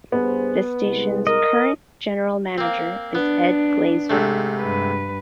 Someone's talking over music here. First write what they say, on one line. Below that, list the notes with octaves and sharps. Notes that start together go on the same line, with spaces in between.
The station's current general manager is Ed Glazer.
G2 B3 G#4 C5
C2 G#3
A#4 D#5
A#3 C4
B3 D4
G#2 C3 A3
G2 B4